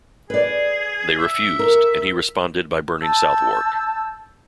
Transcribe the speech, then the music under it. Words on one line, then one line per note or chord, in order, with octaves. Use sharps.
They refused, and he responded by burning Southwark.
G#4 B4 D5
E5
A#4
A5 E6 G6